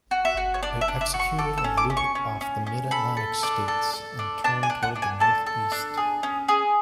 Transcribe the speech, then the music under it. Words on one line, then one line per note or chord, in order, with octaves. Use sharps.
It executed a loop off the Mid-Atlantic states and turned toward the northeast.
F#4
E5
F#4
C#5
D4 D5
E5
D4
E5
F#4
C#6
A4 D6
E6
C#4
D6
C#4
C#6
C#4
C#4
C#4
A4 B5
A4
D4
A4
A4
D4
D4 A5
G#5
D4
F#5
D4
G#5
A4 A5
A4
D4
G#4
C#4
G#4